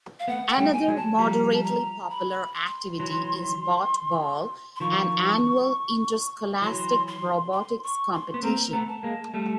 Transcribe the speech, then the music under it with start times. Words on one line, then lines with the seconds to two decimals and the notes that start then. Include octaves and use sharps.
Another moderately popular activity is Botball, an annual interscholastic robotics competition.
0.19 F5
0.28 A3 B3 F#5
0.51 G5
0.58 G3 A3
0.73 G#5
0.88 F#3 G#3
0.96 A5
1.18 F3 G3 A#5
1.54 A5
1.64 A#5
2.10 B5
2.54 C6
2.99 E3 F#3
4.76 C6
4.80 D#3 F3 C#6
6.62 E3 F#3 C6
7.07 C6
7.52 C6
7.83 C#6
8.13 C6
8.34 B3
8.43 A#3 C4 A#5
8.73 A3 B3
8.88 A5
9.03 G#3 A#3
9.34 G3 A3